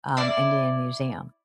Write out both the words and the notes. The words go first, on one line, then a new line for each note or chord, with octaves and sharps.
um, Indian Museum.
E4 D5